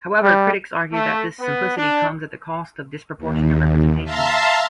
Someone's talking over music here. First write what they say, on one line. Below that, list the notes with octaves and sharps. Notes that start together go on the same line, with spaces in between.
However, critics argue that this simplicity comes at the cost of disproportionate representation.
G3
A3
B3
D4
D#2
E5 F5 A5 A#5 C6